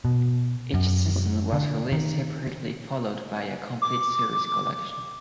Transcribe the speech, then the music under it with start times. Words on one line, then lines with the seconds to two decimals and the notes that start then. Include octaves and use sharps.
Each season was released separately followed by a complete series collection.
0.05 B2
0.74 F#2
1.53 D3
1.92 D#3
3.82 D6